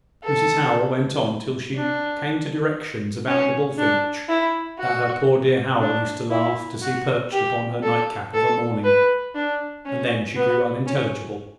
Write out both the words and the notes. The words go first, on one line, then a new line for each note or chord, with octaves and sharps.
Mrs Howell went on till she came to directions about the bullfinch that her poor dear Howell used to laugh to see perched upon her nightcap of a morning; and then she grew unintelligible.
A4
D4
C#4
D4
E4
F#4
D4
E4
F#4
G4
A4
A4
B4
D4
C#4
B3
C#4